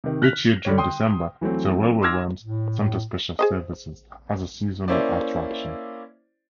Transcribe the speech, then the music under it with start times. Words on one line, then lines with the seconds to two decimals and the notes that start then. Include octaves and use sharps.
Each year during December, the railway runs Santa Special services as a seasonal attraction.
0.04 C3 D#3
0.22 F6 F#6 A#6 B6 F7 F#7
0.65 D3 G3 G4 C#5
0.78 G5 C6 D#6
1.41 E3 F#3 A3 C4
2.02 C6 D6 E6 F6 G#6 A#6
2.43 A2
3.39 G#4 C5 D#5
4.88 A#3 C#4 E4 C5 D5